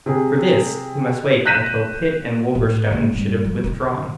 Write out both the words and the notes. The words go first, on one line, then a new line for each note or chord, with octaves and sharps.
For this he must wait until Pitt and Wolverstone should have withdrawn.
C3 G#4
F#6 G6 A#6 B6 D#7 E7
A2
C#3 A#3
G2
F3
D#3